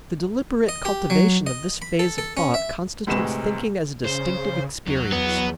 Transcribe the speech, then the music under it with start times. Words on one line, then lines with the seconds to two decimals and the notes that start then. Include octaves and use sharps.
The deliberate cultivation of this phase of thought constitutes thinking as a distinctive experience.
0.69 D#5
0.85 G4
1.10 F#3
1.47 D#5
1.82 B5
1.99 A4
2.18 A4
2.37 C#4
2.54 E5
3.07 D2 A2 C3 G#3 B4 E7
4.05 C#3 C5
4.87 D#2 F#3
5.12 E2 B3